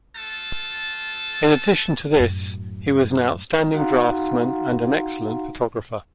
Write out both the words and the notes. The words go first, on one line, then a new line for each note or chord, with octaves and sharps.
In addition to this, he was an outstanding draftsman and an excellent photographer.
A3 F4 A4 A5
F#2 A2
D#4 F#4 F5 F#5 A#5 C6